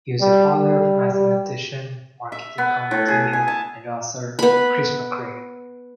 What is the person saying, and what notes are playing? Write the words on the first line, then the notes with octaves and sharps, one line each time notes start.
He was the father of mathematician, marketing commentator, and author Chris Macrae.
G3
G3
G3
E5
B3
A2
G#4
G#5
A5
B3 B5